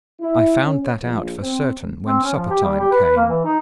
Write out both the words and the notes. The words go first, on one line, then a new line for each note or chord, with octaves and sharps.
I found that out for certain when supper-time came.
E4
C#4
A#1
C4
C4
C#4
F3
G4
G3
G4
B4
B4
A#3
E3
D#4